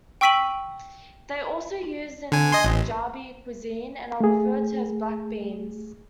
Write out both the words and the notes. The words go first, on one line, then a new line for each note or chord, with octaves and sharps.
They are also used in Punjabi cuisine and are referred to as black beans.
G5 C#6 E6 B6 D#7 F#7
D3 G#5
D#5 G#5 C6
A1
A3 G#4